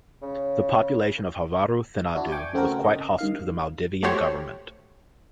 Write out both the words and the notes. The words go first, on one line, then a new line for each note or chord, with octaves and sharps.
The population of Havaru Thinadhoo was quite hostile to the Maldivian Government.
C#3
D4 E4 F#4
G5 G#5 C#6 D6
C#3 A3 C4 F#4 A4 A#4
D#5
G2 D#3 F5
A3 F#4 G4 C5 C#5